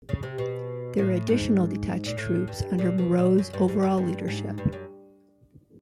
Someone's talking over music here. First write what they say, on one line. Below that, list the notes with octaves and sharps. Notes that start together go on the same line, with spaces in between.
There were additional detached troops under Moreau's overall leadership.
C#3
C3
B2
A2
G#2
A#2
A2
G2
A#2
B2
A#2
F#2
G2
G#2
F#2
G2
G#2
G2
F#2